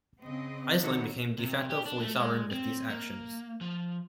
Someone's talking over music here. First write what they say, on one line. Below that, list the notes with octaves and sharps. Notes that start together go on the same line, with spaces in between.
Iceland became "de facto" fully sovereign with these actions.
C#3 C4 D#5
D#3 B3 E4 F#4 A4 C#5
C3
G4
D4
A3
G#3
C4
A#3
F3